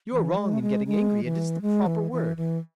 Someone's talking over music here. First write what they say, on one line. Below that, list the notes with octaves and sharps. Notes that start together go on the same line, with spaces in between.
"You are wrong in getting angry; it is the proper word."
E3
G#3
A3
G#3
G#3
E3
G#3
E3
E3
E3